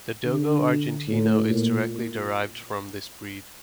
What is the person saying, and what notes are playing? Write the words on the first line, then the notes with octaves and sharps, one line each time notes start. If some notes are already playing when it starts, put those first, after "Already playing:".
The Dogo Argentino is directly derived from this breed.
D3
A2
A#2